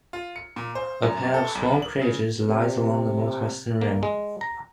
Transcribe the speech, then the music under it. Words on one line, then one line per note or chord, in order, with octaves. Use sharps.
A pair of small craters lies along the northwestern rim.
F4
C#7
A#2
C5
F#2
A4
B1
F#7
C#3
C3
A#3
G#3
A#5